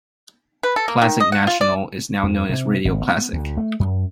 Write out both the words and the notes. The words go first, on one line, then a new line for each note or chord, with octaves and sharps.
Klasik Nasional is now known as Radio Klasik.
B4
A4
A#3
D#3
D#5
F#5
F4
D5
F2
C3
G#1
B3
D2
A3
F#2